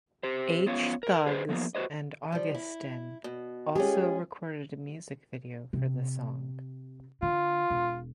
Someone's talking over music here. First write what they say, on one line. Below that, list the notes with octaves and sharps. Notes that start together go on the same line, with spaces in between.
H Thugz and Augustin also recorded a music video for the song.
G4 C5
B3 C#4 F4 C#5
A#4
G#4 B4 C5
F3 A#3 B3
F#4 B4 C5 D#5
F3 G3
E4
B2
G#3 C#4 F4 G4 G#4
C3
D3 F4
E1